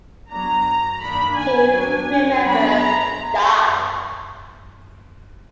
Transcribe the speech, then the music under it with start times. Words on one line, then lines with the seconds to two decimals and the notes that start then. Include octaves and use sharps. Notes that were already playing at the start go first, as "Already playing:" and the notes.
Two crewmembers died.
0.30 F#3 B3 D4 A#5
1.02 D#3 A#3 D4 B5
1.38 G#5
1.74 F#3 D4
2.46 F#3 B3 D4 B5
2.82 A#5